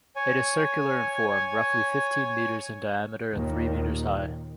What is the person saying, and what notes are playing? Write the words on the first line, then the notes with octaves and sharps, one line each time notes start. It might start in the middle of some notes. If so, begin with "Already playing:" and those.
It is circular in form, roughly fifteen metres in diameter and three metres high.
C#5 G#5
D#2 A#2 D#3